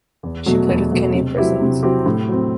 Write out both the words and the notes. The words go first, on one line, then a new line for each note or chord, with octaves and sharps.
She played with Kenya Prisons.
E2
B2 F#3 A3
E2
B2 F#3 A3
C3
F#3 C4 E4 G4
C3
F#3 C4 E4 G4
A2
F#3 C4